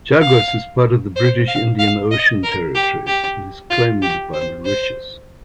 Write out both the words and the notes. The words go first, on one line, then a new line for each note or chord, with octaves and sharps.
Chagos is part of the British Indian Ocean Territory and is claimed by Mauritius.
F5
C5
F5
F5
D#5
A#4
G4
G4
F4
G4
C5
C5